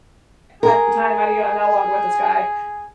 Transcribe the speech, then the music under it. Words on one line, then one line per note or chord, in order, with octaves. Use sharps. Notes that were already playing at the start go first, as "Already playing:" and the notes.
at the time, minding you, I'm no longer with this guy,
G#4 A#4